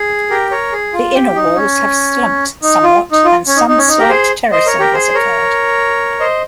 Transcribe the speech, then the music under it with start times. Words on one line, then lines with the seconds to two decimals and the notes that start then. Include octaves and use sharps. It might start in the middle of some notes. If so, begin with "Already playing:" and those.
The inner walls have slumped somewhat, and some slight terracing has occurred.
Already playing: G#4
0.30 G4 A#4
0.51 A#4 C#5
0.72 G#4
0.93 F4
1.15 G4
1.36 D#4
1.56 C#4
2.63 D#4
2.83 F4
3.12 D#4
3.25 F4
3.47 C#4
3.57 D#4
3.68 D#4
3.78 C#4
3.88 D#4
3.99 G4 A#4
4.09 G#4 C5
4.52 C5 D#5
4.66 A#4 C#5
4.79 G4 A#4
4.94 G#4 C5
5.15 A#4 C#5
6.20 C5 D#5